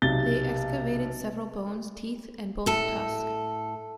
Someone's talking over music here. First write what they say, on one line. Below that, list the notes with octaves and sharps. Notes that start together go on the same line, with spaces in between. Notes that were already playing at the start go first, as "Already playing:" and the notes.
They excavated several bones, teeth and both tusk.
B1 C3 A6 G7
A2 A4